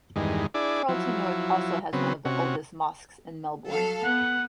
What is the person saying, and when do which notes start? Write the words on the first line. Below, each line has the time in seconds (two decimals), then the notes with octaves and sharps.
Carlton North also has one of the oldest mosques in Melbourne.
0.16 E2 G2 D#3 G#3
0.54 D4 E4 G#4 D5
0.89 F3 F#3 E4
1.93 C#3 F#3 B3 C4
2.25 C3 C#4 F#4
3.70 F#3 A4 F5
4.04 B3 F#5